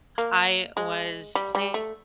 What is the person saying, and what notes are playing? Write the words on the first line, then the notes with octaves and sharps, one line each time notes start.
I was planning
A#3
G#3
G3
G3
A3